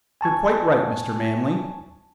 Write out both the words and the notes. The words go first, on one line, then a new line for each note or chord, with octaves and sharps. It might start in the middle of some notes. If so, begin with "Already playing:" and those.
You're quite right, Mr. Manley.
G#5 A5 C#6 G#6